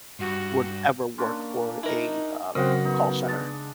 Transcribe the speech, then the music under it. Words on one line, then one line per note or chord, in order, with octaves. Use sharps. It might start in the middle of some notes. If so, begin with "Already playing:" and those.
would ever work for a, uh, call center.
G2 F#4
A#3 C#4 D4 C6
D#4 E4 A#4
F#2 C#3 C4 D#5 F5 F#5
B3 D#4
G#3 D4 A6